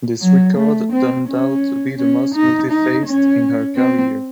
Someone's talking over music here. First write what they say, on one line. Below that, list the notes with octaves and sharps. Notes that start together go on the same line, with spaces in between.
This record turned out to be the most multifaced in her career.
F#3
A3
C4
C#4
C#4
D#4
D#4
C#4
C4